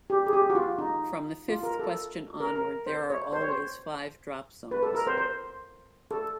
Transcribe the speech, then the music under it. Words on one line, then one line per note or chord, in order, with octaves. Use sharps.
From the fifth question onward, there are always five drop zones.
G4
G#4
G4
F#4
F4
D#4
F4
A#4
A4
A#4
A#4
C5
C#5
C5
C#5
C5
B4
A4
A#4
C5
C5
A4